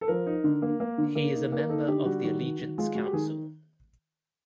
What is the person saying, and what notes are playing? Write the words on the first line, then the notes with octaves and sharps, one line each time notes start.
He is a member of the Allegiance Council.
A4
F3 A#4
D#4
D3
A#3
A#3
D3
A#3 A#4
D#4
A#3
A#4
D#4 A4
D3 G4
G3 F#4
D#3 F#4
D#3
D#3
G#3 F4
G#3 F#4
G4
D#3 G#4